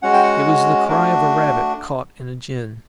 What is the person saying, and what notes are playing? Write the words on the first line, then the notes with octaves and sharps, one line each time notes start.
It was the cry of a rabbit caught in a gin.
G#3 C#4 F#4 F#5
G5
F#5
A3 D4 F#4